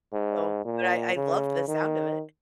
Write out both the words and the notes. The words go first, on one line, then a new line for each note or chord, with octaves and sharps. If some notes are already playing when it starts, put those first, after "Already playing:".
No, but I I love the sound of it.
G#2
A#2
C#3
D#3